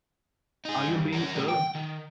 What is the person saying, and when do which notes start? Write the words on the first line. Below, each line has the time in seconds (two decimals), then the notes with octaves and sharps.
Are You Being Served?
0.65 D#4 G#4
0.88 G2
1.13 C#4 A#4
1.35 A2 G3
1.48 G5
1.75 D#3